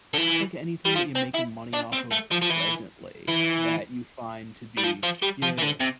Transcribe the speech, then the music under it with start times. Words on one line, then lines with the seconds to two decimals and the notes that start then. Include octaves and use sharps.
just like anything that you're making money off of presently that you find to be Yeah.
0.14 D3
0.18 E3
0.85 G3
0.95 F3
1.15 C4
1.34 E4
1.73 D4
1.93 C4
2.12 A3
2.31 F3
2.42 F3
2.50 E3
3.29 E3
4.78 G3
4.84 F3
5.03 F3
5.22 G3
5.42 F3
5.58 E3
5.62 D3
5.80 C3